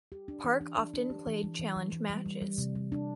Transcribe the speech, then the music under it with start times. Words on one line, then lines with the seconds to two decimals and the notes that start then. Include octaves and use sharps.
Park often played challenge matches.
0.12 G4
0.28 D4
0.44 E3
0.61 D4
0.78 D4
0.94 D4
1.10 G4
1.27 E3
1.44 E3
1.59 E3
1.76 E3
1.93 E3
2.10 G3
2.26 G3
2.42 G3
2.58 C3
2.75 G3
2.92 D4